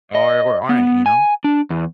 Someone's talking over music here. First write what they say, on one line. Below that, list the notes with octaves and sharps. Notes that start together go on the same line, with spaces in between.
are or aren't, you know?
D#5
B3
G#5
D4
E2